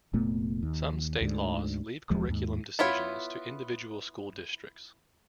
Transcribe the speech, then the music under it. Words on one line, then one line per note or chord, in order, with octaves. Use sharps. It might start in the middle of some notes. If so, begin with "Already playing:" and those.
Some state laws leave curriculum decisions to individual school districts.
F1 A#2 A3 B3
D#2
D2 G#2 D3
D1 D#2 F3 G#3
D#2 G#2
B3 E4 F4 C#5